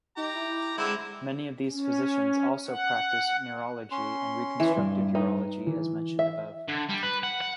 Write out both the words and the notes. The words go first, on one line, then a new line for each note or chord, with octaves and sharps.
Many of these physicians also practice neurourology and reconstructive urology as mentioned above.
D#4 G4 A#5
E4
D3 G#3 C4 E4
C#4
F#5
C#4 C6
E3
G2
D#4 B4 E5
E3
E5
D3
G3
B4
F#5
F#5